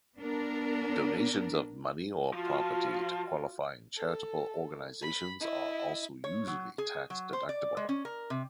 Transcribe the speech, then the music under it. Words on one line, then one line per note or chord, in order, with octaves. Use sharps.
Donations of money or property to qualifying charitable organizations are also usually tax deductible.
B3 D4 A#4
F3 F4 F#4
A4
B5
E4 D#5
C#5
F#3
G#4
F#3
C5
D5
G#3
C#4
A#4
C3